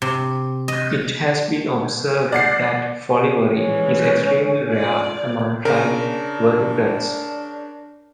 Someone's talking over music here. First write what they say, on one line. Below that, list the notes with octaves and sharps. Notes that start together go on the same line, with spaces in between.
It has been observed that folivory is extremely rare among flying vertebrates.
C3
D#5
D5 F#5 C7
E3 G#3 C#4
F4 D5
C#3 D4 A#4